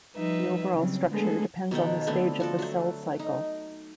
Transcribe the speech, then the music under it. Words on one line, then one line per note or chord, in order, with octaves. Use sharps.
The overall structure depends on the stage of the cell cycle.
F3 G3 D#4 B4 E5
C#3 F#3 G3 C4
D3 G#3 A3 B3 G#4 A4
B2 D#3 A4 G5
D3 A3 B3 C4
F3 F#4 A4
F#3 A3
D#4